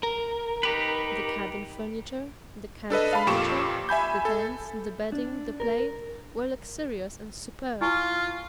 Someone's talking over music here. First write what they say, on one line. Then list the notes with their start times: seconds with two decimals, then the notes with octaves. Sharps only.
The cabin furniture, the camp furniture, the tents, the bedding, the plate, were luxurious and superb.
0.03 A#4
0.63 D#4 G4 B4
2.90 D4 A4 B4 D#5
3.13 F5 A5 B5
3.27 F2 A#2 G4 C#6 D6 E7
3.89 E5 G#5 B5 G6
4.25 A4
5.12 D4
5.60 A#4
7.81 E4 F4 G#5 C#6